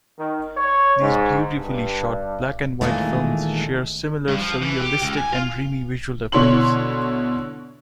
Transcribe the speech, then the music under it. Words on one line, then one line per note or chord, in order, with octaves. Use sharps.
These beautifully shot, black and white films share similar surrealistic and dreamy visual effects.
D#3
C#5
G#2
G2
A#2 D#3 E3 G#3 A3
G2
F3
E3
G4
C#2
G#5
F4
B2 D3 E4 C#5 C6 F#7